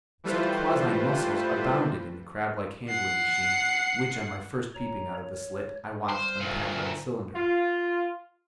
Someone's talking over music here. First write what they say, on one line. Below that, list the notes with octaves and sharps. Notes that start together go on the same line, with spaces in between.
Such quasi-muscles abounded in the crablike handling-machine which, on my first peeping out of the slit, I watched unpacking the cylinder.
E3 G3 A3 F4 B4 C5
F#5 C7
C#5 A#5
C#5
G3 B4 C5 F6
D2 A#2
F4